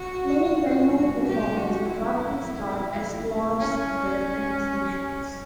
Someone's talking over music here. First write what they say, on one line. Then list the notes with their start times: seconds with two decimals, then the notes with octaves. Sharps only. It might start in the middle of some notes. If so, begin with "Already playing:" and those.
Many well known performers got their start as lounge singers and musicians.
Already playing: F#4
0.98 F#4
1.27 G4
1.57 F#4
1.86 E4
3.60 C#4